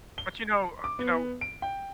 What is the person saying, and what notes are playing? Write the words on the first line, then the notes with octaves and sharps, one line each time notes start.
But, you know, uh, you know
G7
D6
B3
D7
G5